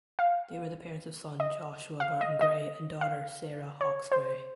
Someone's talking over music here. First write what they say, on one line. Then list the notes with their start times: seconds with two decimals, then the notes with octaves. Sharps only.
They were the parents of son Joshua Barton Gray and daughter Sarah Hawkes Gray.
0.19 F5
1.40 D#5
2.00 F5
2.21 D#5
2.41 D#5
3.01 F5
3.81 C#5
4.12 C5